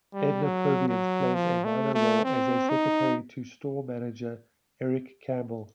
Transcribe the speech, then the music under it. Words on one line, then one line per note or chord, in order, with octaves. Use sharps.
Edna Purviance plays a minor role as a secretary to store manager, Eric Campbell.
G3
F#3
F#3
F3
A3
A3
C4
D#4